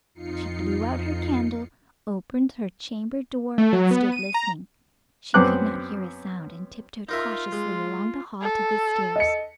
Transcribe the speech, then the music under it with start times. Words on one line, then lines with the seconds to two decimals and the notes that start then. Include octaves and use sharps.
She blew out her candle, opened her chamber door and stood listening. She could not hear a sound, and tiptoed cautiously along the hall to the stairs.
0.14 F2 D#4 F4 C7 C#7
3.58 A3
3.73 F#3
3.91 B3
4.12 D#7
4.34 A#5
5.34 F#2 B3 C4 D6 F#6
7.09 D#4 F4 A#4 E5
7.53 G#3
8.42 A4
9.16 D#5 C#7